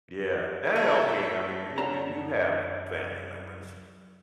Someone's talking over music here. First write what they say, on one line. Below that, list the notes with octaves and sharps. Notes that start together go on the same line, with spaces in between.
Yeah, that helped me, I mean, you you you have family members,
A3 F4 A4 E5
F#2 F#3 C#4 D4 A4 A#5